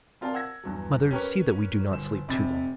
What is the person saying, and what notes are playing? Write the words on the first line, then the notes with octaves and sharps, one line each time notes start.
Mother, see that we do not sleep too long.
C4 F4 A#4 D5 F5 A5
F#5 E6 G#6 A#6
E2 G2 F#3
C#4 G4 A#4 B4 C#5
G1 C5 E7
F1 C3 C4 B5 A6